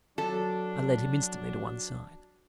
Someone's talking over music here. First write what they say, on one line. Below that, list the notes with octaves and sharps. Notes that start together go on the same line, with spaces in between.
I led him instantly to one side.
F#3 D4 A4